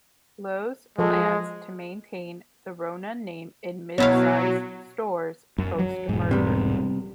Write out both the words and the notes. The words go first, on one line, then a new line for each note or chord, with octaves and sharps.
Lowe's plans to maintain the Rona name in mid-sized stores post-merger.
F3 G#3 A4
B2 F#3 B3 E4 C#5 F5
F#2
F#3
E1 G#2
C3 G3 B3